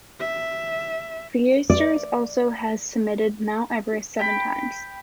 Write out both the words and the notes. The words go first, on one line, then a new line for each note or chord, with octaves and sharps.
Viesturs also has summitted Mount Everest seven times.
E5
D5
G5 B5